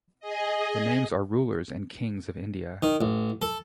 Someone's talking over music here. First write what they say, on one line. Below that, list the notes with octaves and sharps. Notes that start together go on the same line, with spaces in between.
The names are rulers and kings of India.
G#4 D#5
D#3
A1
A4